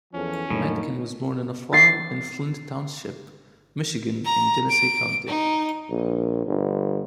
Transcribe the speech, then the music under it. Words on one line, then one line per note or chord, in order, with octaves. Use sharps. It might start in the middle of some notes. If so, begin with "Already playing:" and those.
Aitken was born on a farm in Flint Township, Michigan in Genesee County.
E2 F3 C#4 A4
F2 A2 C#3 F#3 A#3 D4 D#4
A6 C7
A#5
D7
D#4
A#1
G1